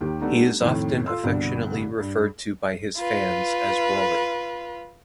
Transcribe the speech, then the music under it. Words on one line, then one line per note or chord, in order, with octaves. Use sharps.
He is often affectionately referred to by his fans as Roli.
D#2 D#3 G4
G3 A3 B3 D4 D#4
F2 A2 D#3
F4 A4 C6 E6
C2 G2 B2 D3
G2
F4 B4